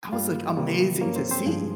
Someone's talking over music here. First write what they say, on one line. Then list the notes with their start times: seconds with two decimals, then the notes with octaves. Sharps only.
That was, like, amazing to see.
0.12 G2 G3 A#3 F4 F5
0.57 C3 D#3 G3 A#3
1.01 G2 F3 A#3 C#4 C#5
1.16 C4 C5
1.31 C4 C5
1.46 G2 F3 G#3 G#4